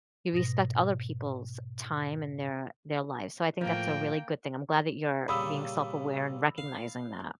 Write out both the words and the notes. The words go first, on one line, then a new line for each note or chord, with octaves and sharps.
you respect other people's time and their their lives. So, I think that's a really good thing. I'm glad that you're being self-aware and recognizing that.
G#2 B2 A#6
A2 F3 A#3 G5
A#2 C#3 G3 B5 D#6 E6
F5